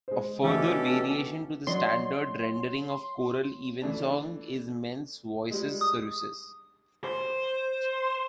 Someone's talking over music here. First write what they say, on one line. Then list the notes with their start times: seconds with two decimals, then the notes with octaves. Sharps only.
A further variation to the standard rendering of choral evensong is men's voices services.
0.08 G#3 C5
0.43 B2 E3 A3 C#4 D4 G4 A4
1.67 F#3 D5 D#5 C6
3.82 E3 A3 D4
5.51 G3 G#3
5.81 D#6
7.04 C5